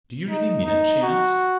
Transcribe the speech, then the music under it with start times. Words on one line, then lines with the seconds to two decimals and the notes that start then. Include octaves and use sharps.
"Do you really mean it?" she asked.
0.29 D#4
0.65 D#4
1.02 F#4